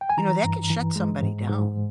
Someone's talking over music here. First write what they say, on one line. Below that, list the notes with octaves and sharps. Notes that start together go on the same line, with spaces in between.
You know, that can shut somebody down.
G5
G#5
E3 A#5
G2
E3
G#3
G#2
G#2